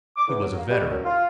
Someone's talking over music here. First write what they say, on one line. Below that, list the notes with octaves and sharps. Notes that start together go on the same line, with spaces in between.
He was a veteran.
D6
E2
F#3
A#3
G3
F#2
F4